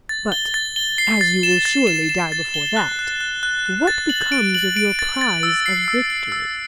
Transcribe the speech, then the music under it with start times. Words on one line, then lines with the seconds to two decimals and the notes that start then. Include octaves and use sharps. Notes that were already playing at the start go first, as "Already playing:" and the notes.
But, as you will surely die before that, what becomes of your prize of victory?
0.09 A6
0.32 G7
0.54 A6
0.76 G7
0.98 C7
1.21 A6
1.43 E7
1.65 A6
1.87 E7
2.09 E7
2.32 A6
2.54 G7
2.76 F#6
2.99 F#6
3.21 F#6
3.43 F#6
3.66 F#6
3.87 A6
4.09 F#7
4.32 D7
4.55 F#7
4.77 D7
4.99 A6
5.21 A6
5.43 E6
5.66 C7
5.88 E6
6.10 C7
6.32 E6